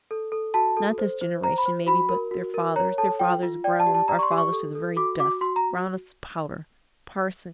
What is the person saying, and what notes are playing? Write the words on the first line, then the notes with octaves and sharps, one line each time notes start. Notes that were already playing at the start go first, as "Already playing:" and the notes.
Not this generation maybe, but their fathers. Their fathers ground our fathers to the very dust; ground us to powder! Parson!
A4
A4
F#4 A5
A4
C5
C5
C5 A#5
B5
C5
F#4 B5
A#4
F#4
A#4
C#5 A#5
A4 A5
F4 G5
F4
D5 G5
A5
G4
A5
D5 A#5
C#6
C6
G4
C#6
A4
A4
F#4 D6
F#4 D6
F#4 C6
A#5